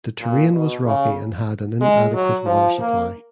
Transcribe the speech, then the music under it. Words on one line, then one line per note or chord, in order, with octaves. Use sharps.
The terrain was rocky and had an inadequate water supply.
A#2
B2
C#3
G#3
F#3
F3
A#3